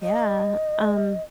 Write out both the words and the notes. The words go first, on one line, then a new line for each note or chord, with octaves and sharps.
Yeah, um,
D#5